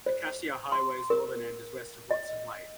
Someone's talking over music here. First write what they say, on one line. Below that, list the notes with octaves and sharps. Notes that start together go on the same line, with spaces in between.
The Cassiar Highway's northern end is west of Watson Lake.
C5
C6
A#4
D#5